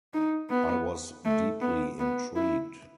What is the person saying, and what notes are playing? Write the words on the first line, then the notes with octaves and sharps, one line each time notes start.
I was deeply intrigued.
D#4
B3
A3
B3
B3
E4